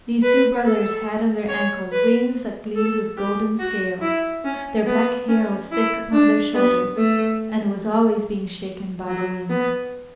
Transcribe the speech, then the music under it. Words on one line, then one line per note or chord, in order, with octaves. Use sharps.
These two brothers had on their ankles wings that gleamed with golden scales; their black hair was thick upon their shoulders, and it was always being shaken by the wind.
B4
A4
C#5
B4
A4
G4
F#4
E4
C#4
B3
C#4
E4
D4
B3
A3
F#3
B3